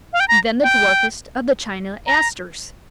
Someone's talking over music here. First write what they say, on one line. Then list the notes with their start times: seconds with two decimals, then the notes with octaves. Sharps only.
And then the dwarfest of the China Asters.
0.13 F5
0.20 G5
0.28 A#5
0.63 G5
2.07 A#5